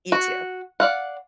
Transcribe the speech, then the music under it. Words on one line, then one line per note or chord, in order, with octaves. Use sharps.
You too.
F#4
D5 F5 F#5